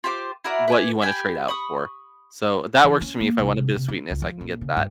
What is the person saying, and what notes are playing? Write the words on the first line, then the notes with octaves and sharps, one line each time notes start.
what you wanna trade out for. So that works for me, if I want a bit of sweetness, I can get that,
F4 G4 C5 D6
E4 F#4 A#4 D5
B4 D5 G#5
G4 G5 G#5 B5
B5 C#6 D#6
E3
C#4
A#3
C2
C3
C3
D4
C#2
F3
A#1
C#3
G2